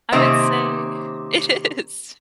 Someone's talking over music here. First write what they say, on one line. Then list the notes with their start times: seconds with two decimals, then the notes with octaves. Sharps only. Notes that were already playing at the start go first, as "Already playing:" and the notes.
I would say it is
0.12 C3 D#3 A#3 C4 C#4